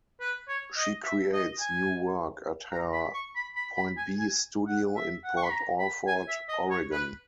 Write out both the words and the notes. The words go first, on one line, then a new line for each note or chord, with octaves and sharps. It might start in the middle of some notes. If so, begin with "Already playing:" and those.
She creates new work at her Point B Studio in Port Orford, Oregon.
B4
C#5
D#5
E5
D#5
G#5
A#5
B5
C#6
B5
B5
B5
G#5
G#5
F#5
E5
F#5
C#6
B5
A#5
B5
G#5
E5
D#5
C#5
B4